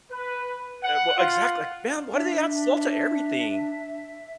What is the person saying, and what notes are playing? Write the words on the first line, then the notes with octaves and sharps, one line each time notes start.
Uh, well, exact like, man, why do they add salt to everything?
B4
F#5
F4
D4 E5